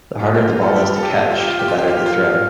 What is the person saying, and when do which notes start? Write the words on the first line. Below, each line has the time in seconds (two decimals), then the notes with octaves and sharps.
The harder the ball is to catch, the better the throw.
0.20 F4
0.34 G4
0.48 F4
0.62 A4
0.75 G4
0.96 A4
1.03 G4
1.31 F4
1.41 G4
1.50 F4
1.59 G4
1.68 F4
1.78 G4
1.88 F4
1.97 G4
2.06 F4